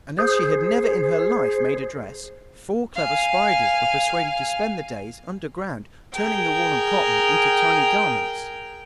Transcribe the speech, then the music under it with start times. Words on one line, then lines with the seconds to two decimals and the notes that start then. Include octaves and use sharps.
And as she had never in her life made a dress, four clever spiders were persuaded to spend the days underground, turning the wool and cotton into tiny garments.
0.19 G#4 C5
2.95 F5 G#5
6.12 G#4 A#4 G5